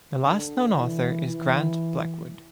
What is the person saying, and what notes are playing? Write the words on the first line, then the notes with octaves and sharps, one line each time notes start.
The last known author is Grant Blackwood.
D3
E3
E3